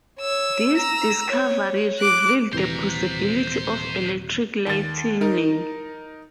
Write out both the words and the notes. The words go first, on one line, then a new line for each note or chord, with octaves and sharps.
This discovery revealed the possibility of electric lighting.
C#5 E6
A#5 E6
C#5
D6 F#6
D#1 C3 E3 C5 A#5
D#2 A6
D#4 A#4